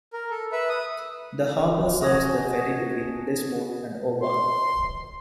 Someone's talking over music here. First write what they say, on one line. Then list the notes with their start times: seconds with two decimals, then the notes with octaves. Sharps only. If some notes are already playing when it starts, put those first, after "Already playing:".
The harbour serves the ferry between Lismore and Oban.
0.13 A#4
0.31 A4
0.52 B4 E5
0.69 D#6
2.01 F#4 D#5 G#5 A5
4.22 C6